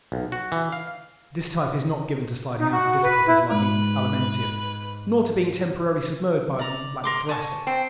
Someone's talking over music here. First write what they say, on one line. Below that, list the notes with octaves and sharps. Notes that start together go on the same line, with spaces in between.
This type is not given to sliding out of difficulties like the Alimentive nor to being temporarily submerged by them like the Thoracic.
B1
F#4
E3
F5
D#4
F#4
B4
E4
G#2 B4
D5 A#5
A#4 C6 D6
G#5 A5 C#6
C4